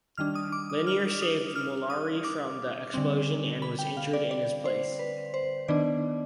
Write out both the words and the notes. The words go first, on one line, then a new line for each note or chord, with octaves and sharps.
Lennier saved Mollari from the explosion and was injured in his place.
D#3 G3 D4 F6
D#6
D6
D#6
F6
D#6
F6
D#6
D6
D3 G3 C4
B5
G5
F5
D5
D5
C5
B4
C5
D#3 B3 D4 D5